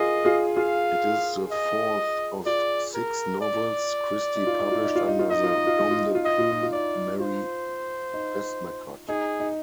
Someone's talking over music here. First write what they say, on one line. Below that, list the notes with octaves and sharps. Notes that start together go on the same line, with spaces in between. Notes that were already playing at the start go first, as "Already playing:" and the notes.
It is the fourth of six novels Christie published under the nom-de-plume Mary Westmacott.
Already playing: F4 G#4 A#4 D#5
F4 G#4
F4 G#4 F5
D#5
F4 D5
A#4
D5
D#4
F4
D#4
F4
D#4
F4
D#4
F4
D#4 D#5
F4
D#4
F4
D#4
F4
D#4
F4
D#4 D#5
F4
D#4
F4
D#4 D5
F4 C5
D#4
D#4 G#4
D#4